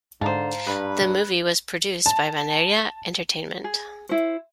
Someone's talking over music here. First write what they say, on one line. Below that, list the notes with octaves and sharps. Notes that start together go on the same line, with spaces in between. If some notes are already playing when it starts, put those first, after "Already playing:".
The movie was produced by Bandeira Entertainment.
G#2 D3 G#3 C5 F5 A5 A#5
G2 B4
A5
G#4
E4 C5